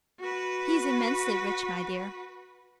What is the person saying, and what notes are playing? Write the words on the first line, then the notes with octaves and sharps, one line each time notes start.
He's immensely rich, my dear.
F#4 B4